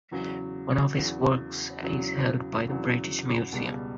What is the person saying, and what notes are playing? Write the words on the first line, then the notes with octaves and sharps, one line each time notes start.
One of his works is held by the British Museum.
E2 C#3 F#3
E2 C#3 F#3
E2 C#3 F#3
E2 C#3 F#3
C#2 B2 G3